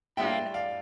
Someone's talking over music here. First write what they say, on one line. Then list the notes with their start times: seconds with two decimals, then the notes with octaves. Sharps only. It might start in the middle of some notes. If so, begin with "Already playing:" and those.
And I
0.17 A2 G3 D4 F4 E5 G5
0.54 D5 F5